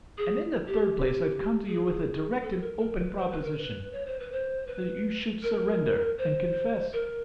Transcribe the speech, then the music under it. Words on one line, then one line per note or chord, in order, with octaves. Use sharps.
And in the third place I've come to you with a direct and open proposition--that you should surrender and confess.
G#4
G4
G#4
A4
A#4
A#4
B4
C5
B4
A#4
B4
C#5
C5
B4
C5
B4
A#4
C5
A#4